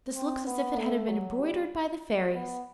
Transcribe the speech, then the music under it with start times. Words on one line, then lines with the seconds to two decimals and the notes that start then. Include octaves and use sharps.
'This looks as if it had been embroidered by the fairies!
0.16 C4
0.47 B3
0.78 A3
1.09 F#3
1.40 G3
2.33 B3